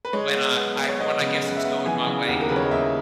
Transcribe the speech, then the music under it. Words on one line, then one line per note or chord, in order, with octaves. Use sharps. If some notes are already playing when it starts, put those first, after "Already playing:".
When I I when, I guess it's going my way.
B4
G#3 C#5
B3
B3
B3
C#5
B3 D#5
C#3
C#3 F#5
E5
B3
E3 G#5
C#3
D#2 F#5
A#4
C#3 B4
C#5
D#5
D#2 E5